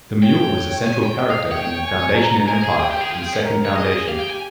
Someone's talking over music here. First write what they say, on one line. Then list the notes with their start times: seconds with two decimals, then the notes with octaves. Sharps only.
The Mule is a central character in "Foundation and Empire" and "Second Foundation".
0.23 C#5 G5
0.87 G#5
1.03 G5
1.19 D#5 G5
1.30 F5
1.51 C#5 G5
1.84 G#5
2.16 A#5
2.47 A#4 G#5
2.64 G#4
2.79 G#4 G5
2.91 G4
3.01 G#4
3.11 F4 G5
3.23 G#4
3.33 C#4
3.44 A#4
3.65 C#5
3.76 G#4 D#5
4.08 G4 F5
4.19 G5
4.30 G#5